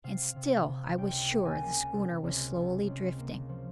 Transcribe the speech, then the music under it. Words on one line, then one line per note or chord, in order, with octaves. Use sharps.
And still I was sure the schooner was slowly drifting.
C3 F5
C3
C3
C#2 G5
A#3
G#5
A#3
C3
C#2
C3
C#2
A#3
F3